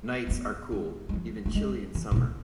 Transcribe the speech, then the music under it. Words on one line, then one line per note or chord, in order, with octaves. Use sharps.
Nights are cool, even chilly in summer.
A3
B3
G#3
G#3
F3
A3
G#3
E3
A2
B2